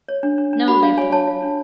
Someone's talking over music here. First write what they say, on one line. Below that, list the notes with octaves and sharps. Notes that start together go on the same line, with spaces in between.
No, Leopold.
C#5
D4
D4
D4
F#4 B5
D4 F5
C#5 G#5
C#5 A5
F4
D4